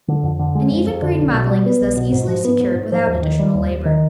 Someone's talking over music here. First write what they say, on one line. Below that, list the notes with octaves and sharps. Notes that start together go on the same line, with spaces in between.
An even green mottling is thus easily secured without additional labor.
D3
F2
D3
G#3
F2
F2
D3
B1
B2
G3
B3
B1
B2
G#2
F3
B3
G#2
G#2
F3
D#2
D#3
G3
D#2
D#2
D#3